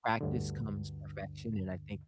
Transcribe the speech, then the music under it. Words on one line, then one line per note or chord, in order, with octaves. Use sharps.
practice comes perfection, and I think,
D2 G2 D3